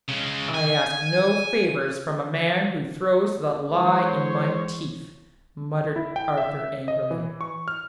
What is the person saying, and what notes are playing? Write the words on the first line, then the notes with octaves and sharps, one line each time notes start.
"I ask no favors from a man who throws the lie in my teeth," muttered Arthur angrily.
C#3 G#3
G#5
E3 G#3 C5 C#5
E4
G5
E5
D#5
E3
C#6
F6